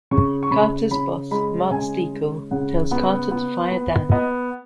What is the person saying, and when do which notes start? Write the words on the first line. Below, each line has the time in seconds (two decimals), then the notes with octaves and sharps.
Carter's boss, Mark Steckle, tells Carter to fire Dan.
0.11 C#3 C#6
0.43 C#6
0.51 C#3 B5
0.91 C#3 B5
1.31 G#3 B5
1.71 C#3 G#5
2.12 G#3
2.51 C#3 F#5
2.91 B3
3.31 B3
3.71 B3
4.11 B3 D#5